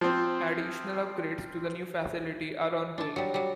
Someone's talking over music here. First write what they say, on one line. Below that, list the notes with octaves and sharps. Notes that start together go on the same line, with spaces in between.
Additional upgrades to the new facility are ongoing.
F3 C4
D4 A5
F#3 G3
F#3 G3